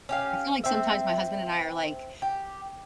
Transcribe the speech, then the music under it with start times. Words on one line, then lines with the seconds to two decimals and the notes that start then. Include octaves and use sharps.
I feel like, sometimes, my husband and I are, like,
0.09 C#4 G4 F5
0.64 C4 E5
2.22 G4